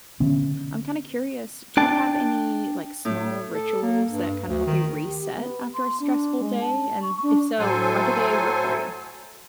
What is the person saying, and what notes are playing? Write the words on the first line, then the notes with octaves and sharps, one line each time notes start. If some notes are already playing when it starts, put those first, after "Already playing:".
I'm, kind of, curious, do you have any, like, small rituals that kinda help you reset after a stressful day, and if so why do they work for you?
D3 B3 C#4
D4 G5 A5
A2
A4
A#3
G2
D2
D#3
G4
B3
C6
D4
G#3
A5
C#6
D4
A2 F#3 A4 C5 G#5